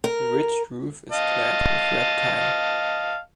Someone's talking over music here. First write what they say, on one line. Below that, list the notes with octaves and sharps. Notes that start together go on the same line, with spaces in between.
The ridged roof is clad with red tile.
A#4
D#5 F5 A5